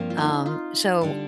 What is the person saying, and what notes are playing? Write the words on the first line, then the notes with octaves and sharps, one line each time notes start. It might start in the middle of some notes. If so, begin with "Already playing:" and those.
Um, so,
Already playing: G2 F3 A#3 C4
F4
D#4
F4
D3 G3 D4